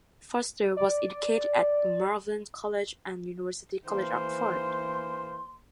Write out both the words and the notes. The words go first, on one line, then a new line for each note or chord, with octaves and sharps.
Foster was educated at Malvern College and University College, Oxford.
D5
E3 A#3 C5 C6